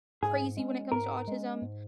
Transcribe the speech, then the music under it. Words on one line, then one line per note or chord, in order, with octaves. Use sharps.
crazy when it comes to autism.
G#2 G#4
G#3 C#4
G#2 A#4
G#3 C#4
G#2